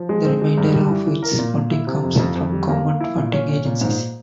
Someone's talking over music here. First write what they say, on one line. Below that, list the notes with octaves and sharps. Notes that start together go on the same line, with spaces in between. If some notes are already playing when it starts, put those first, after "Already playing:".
The remainder of its funding comes from government funding agencies.
Already playing: F3
G#3
C4
G#3
G2
G3
E3
E3
A#4
A#2
A#2
E4
C3
F2
F2
F2
G3
A#3
A#3
E4
A#2
C#4
C#4
A#2
G#2